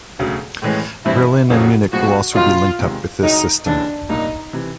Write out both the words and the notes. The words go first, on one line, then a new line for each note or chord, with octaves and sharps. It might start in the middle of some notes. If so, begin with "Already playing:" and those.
Berlin and Munich will also be linked up with this system.
E1 D2 C#3 F#3
A2 E3 G#3 C#4
G2 E3 G3 C4 E4
F1 F2 C#3 F3 A#3 F#4
A2 F3 G#3 B3 F#4
C#2 B2 F#3 A#3 D#4 F4
E2 C3 D#3 G#3
C#2 C#3 F#3 D#4
E1 D#2 C#3 E3 D4
C2 A#2 G3 A#3 D4 D#4
C3 E3